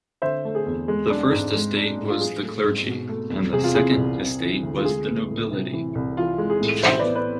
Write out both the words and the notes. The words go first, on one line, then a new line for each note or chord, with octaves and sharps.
The First Estate was the clergy, and the Second Estate was the nobility.
D3 C5 E5
A3
G#4
E2
G#3
D4
G#2
G#3
D4
A2
F4
F3 G#4
A3
G#2
B2
A3
E2
C3 G#4
F4
E3 G#4
C2
C3
E3
D2
F4
G#3 G#4
B3
A2
C3
E3
C2
E3 F4
G#3
G#4
A2
E3 C5 E5
B4 D5
B3
B4 D5